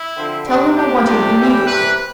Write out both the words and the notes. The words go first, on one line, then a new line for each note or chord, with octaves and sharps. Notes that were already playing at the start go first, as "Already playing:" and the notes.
"Tell him I want him immediately."
Already playing: E4
D3 F3 C4
C3 G3 D4
B2 A3 D4 G4
C3 F3 A3 D4
A2 E3 G3 C4
C3 E3 G3 B4